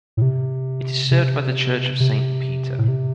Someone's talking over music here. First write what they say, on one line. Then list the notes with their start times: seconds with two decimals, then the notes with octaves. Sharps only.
It is served by the Church of Saint Peter.
0.17 A2
0.22 C3
1.11 C3
2.00 C3
2.79 A2
2.88 C3